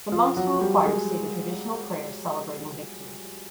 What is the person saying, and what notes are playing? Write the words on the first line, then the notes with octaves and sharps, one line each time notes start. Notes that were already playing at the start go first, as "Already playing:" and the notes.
The monks were required to say the traditional prayer celebrating victory.
F3 F4
F#3 F#4
F#4
G3 G4
G4
G#3 G#4